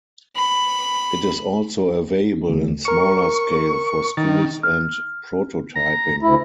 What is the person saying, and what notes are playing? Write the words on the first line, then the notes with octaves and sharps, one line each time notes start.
It is also available in smaller scale for schools and prototyping.
B5
D2
A#4 C#6 C#7
D#3 A6
F6
A#5
D2 E4